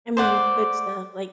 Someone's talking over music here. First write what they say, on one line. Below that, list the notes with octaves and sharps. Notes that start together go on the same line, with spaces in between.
I mean, quick stuff, like,
C5 D5 F#5